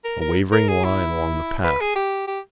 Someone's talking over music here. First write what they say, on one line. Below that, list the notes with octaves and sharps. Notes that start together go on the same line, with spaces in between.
A wavering line along the path.
A#4
A#4
A#4
G#4
E4
B4
G#4
G4
G4